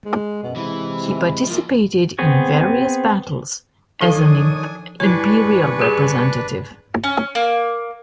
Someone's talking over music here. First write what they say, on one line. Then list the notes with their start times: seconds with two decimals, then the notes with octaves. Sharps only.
He participated in various battles as an imperial representative.
0.05 G#3
0.43 F#2 B2
0.56 C3 E3 G#3 E4
1.46 F3 A#3
2.19 B3 C4 G#4 C#5
4.01 D#3 F3 D4 A4 C#5 F5 G#5 D#6
5.00 G3 D4 E4 B4 C#5 G#5 C#6
5.80 G4 G#4
7.04 C#4
7.35 A#3